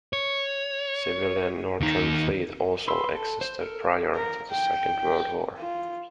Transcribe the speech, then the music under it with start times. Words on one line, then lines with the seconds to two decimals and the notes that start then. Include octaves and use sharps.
A civilian Northern Fleet also existed prior to the Second World War.
0.13 C#5
1.81 D#2 D#4
2.88 B4 C6 E6
3.15 A4
3.41 C5
3.61 A4 A#4
4.15 A#4
4.51 G5
5.58 F4